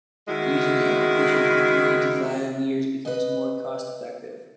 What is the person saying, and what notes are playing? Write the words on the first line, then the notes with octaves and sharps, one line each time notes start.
Using the application for three to five years becomes more cost-effective.
D#3 G#3 E4 F#4
B4 D#5